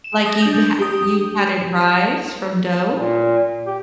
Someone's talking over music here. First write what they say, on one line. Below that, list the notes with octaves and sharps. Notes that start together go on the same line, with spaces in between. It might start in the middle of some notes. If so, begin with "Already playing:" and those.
Like, you've ha you've had it rise from dough?
E7
D#6 A#6
D4 G6
G4 D#6
A#2
G4